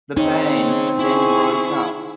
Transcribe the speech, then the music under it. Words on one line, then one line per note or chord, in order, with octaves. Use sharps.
The band then broke up.
C4 D#4 G#4 C#5
E4 G#4 C#6